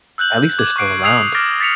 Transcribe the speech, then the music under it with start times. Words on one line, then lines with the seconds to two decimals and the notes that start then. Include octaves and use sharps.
at least they're still around.
0.18 E6 F#6 G6 F#7
0.59 D6 G#6 F#7
0.76 C#6 F#6 C7 D7
1.03 D#6 E6 G#6 C7 F7
1.35 D6 F6 A6 A#6 D7
1.60 A6 B6 C#7 F7